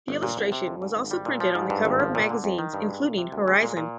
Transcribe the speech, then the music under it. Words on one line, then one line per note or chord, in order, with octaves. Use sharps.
The illustration was also printed on the cover of magazines, including "Horizon".
G1
A#2
C2
C3
F2
G#2
G#1
G3
A#2
F3
G#2
G2
G#1
F3
A#2
D3
F2
D#3
G2
G#3
A#2
C3
D2
G#3
A#2
A#2